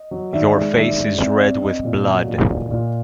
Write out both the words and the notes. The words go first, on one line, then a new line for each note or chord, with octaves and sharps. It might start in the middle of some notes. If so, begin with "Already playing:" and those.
Your face is red with blood.
Already playing: D#5
F#3
D#3 D5 E5
G#3
D#3 D5 E5
G#3
C4 D5 E5
C4
C4 D#5
A#2
F#3
A#2
A#2
A#2